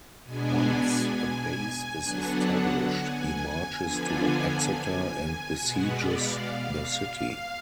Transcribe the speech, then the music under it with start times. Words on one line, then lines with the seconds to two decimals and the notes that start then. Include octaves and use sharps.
Once a base is established, he marches to Exeter and besieges the city.
0.24 B2 G#3 B3 D4 G#5
2.03 D3 F#3 B3 D4 F#5
2.92 G#5
3.81 D3 F3 B3 D4
4.71 G#5
5.00 G#5
5.30 G#5
5.59 B2 G#3 B3 F#5
5.90 D5
6.18 F5
6.49 F5